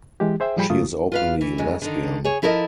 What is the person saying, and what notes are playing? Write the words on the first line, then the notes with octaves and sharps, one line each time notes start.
She is openly lesbian.
E3 G#3 G4
G#4 C5 E5 G5
A2 F3 G3 G#4 G5 B5
G2 C#3 A3 A#3 F4 D#6
F4 B4 F5
E3
F2 G#3 C#4
D3 D#3
G#4 C#5
F3 E4 A4 A#4 D5 D#5